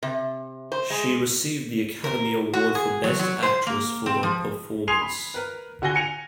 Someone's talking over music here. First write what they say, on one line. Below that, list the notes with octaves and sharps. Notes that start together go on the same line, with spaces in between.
She received the Academy Award for Best Actress for her performance.
C3
C5
G#3
A#4
F#4
G#4
F#3
F#3
C5
A#3
C4
F3
G#5 C6 D#6 G#6 C7 F7
B5
A#4 B4
D3 F#4 G#5 A#6 G7
G#5 C#7 F7